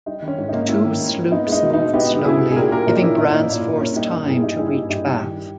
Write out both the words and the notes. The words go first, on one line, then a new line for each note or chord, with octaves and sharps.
The two sloops moved slowly, giving Brand's force time to reach Bath.
G3 D#4
D#3
C#4
G#2
D#4
A#3
G3 C#4 E4
D#3
G#2
A#3
B3 D#4
G#3 D#4
B2
D#4
B2
B3 D#4 G4
G#3
G4
B2 E4 G#4
B2
G#4
A#2 G4 A#4
A#3 G4 A#4
A#2 D#4 G4
A#3 C#4 E4
A#2 D#4
E4
A#3 D#4
A#2
A#3
A#3 C#4
G3 D#4
G2
G2 E4 G#4
A#3 D#4 G4
G3 E4 G#4
G2 D#4 G4
G2 D#4 G4
G3 D#4 G4
D#3